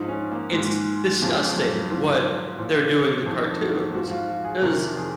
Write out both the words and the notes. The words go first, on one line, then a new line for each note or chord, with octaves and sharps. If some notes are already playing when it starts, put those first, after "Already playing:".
It's disgusting what they're doing to cartoons, 'cause
Already playing: G#2 F3 D#4
C#4
A#3
G#2 D#3 G#3
F2 C#3 F3 G#3
F#3
G#2 F3
A#2 F3
F2 D#3
D#4
F#4
G#2 F3 F#4
F4
F4
G#4
F2 C3 D#3 A#4
G#4